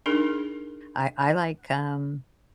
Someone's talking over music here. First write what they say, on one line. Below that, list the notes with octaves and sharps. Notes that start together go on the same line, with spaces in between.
I I like, um
D4 D#4 G#4 A#4